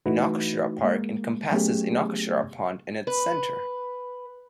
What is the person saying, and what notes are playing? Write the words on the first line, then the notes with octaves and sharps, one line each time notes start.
Inokashira Park encompasses Inokashira pond in its center.
E3 A3 D#4 E4 F#4 B4
G#3 A#3
F#3 A3 B3 C#4 G4 G#4
B4